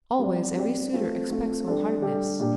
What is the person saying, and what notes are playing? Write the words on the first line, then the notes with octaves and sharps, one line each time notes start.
Always every suitor expects whole heartedness.
G3 C4 G4 D5
G3 C4 G4 D5
A3 C4 F4
A3 C4 F4
G3 D4 A4
G3 D4 A4
A#2 G3 D4